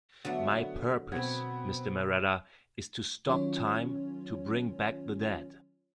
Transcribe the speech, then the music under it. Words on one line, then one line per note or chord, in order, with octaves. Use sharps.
My purpose, Mr. Marratta, is to stop time, to bring back the dead.
D3 F#3 A3 B3 F#4
B2 B3 C4 B5 G#6
D#3 F#3 C#4 F4 C#5